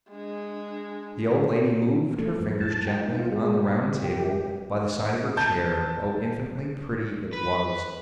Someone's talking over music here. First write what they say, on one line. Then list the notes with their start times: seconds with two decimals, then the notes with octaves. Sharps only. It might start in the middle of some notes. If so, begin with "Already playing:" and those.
The old lady moved her fingers gently on the round table by the side of her chair,.. oh, infinitely pretty it was....
0.11 G#3 D4
2.18 A3
2.40 F#2
2.61 A5
2.87 G5
3.01 D#4
3.19 F4
3.32 G#3
3.63 G4
3.80 C3
3.99 G4
5.37 A5 G6
7.33 B4